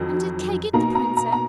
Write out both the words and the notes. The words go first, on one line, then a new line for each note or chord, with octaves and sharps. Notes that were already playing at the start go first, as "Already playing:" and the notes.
"And did Kay get the Princess?"
Already playing: F2 D#3 F#3
B2 A#3 D#4 A#5
A#5
A#5
A#5